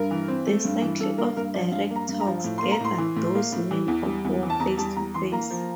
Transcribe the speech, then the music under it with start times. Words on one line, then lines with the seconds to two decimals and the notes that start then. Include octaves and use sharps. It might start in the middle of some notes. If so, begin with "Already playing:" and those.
The cycle of direct talks gathered those men of war face to face.
Already playing: G2 A#4
0.11 E3
0.28 C4
0.47 A3
0.65 G2
0.82 E3
1.00 G2 A4
1.18 A#3 A#4
1.37 G2 A#4
1.54 F3 D5
1.72 G2 F5
1.90 A#3
1.96 A#5
2.09 G2
2.21 A#5
2.26 F3
2.44 A2
2.58 A#3 C6
2.71 A#5
2.81 A2 C6
2.98 E3
3.16 A2
3.35 A#3
3.52 A2
3.71 E3
3.88 E2
4.06 G3
4.25 E2
4.43 E3
4.50 A5
4.60 E2 A#5
4.78 G3 A5
4.96 E2 A#5
5.14 E3 C6
5.32 A#3 A#5
5.50 F3